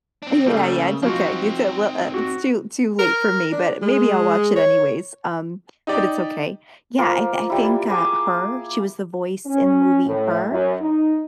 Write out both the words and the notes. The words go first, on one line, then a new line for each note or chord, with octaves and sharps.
Yeah, yeah, it's okay. It's a li uh, it's too too late for me, but maybe I'll watch it anyways, um, but it's okay. Yeah, I I think, uh, Her, she was the voice in the movie Her,
C4 D4
C#3 G3 A3 A#3
F3 C4 D#4 F#4
F#4
A#4
D4
G#3
C#5
D#4 G4 D5
F3 A#3
G3 E4
G#4 G#5 D6
C#4
A2
F#2
D#4